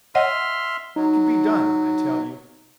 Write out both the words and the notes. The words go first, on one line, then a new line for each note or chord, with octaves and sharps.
It could be done, I tell you.
C#5 D#5 E5 F#5 C6 F6
F#3 D#4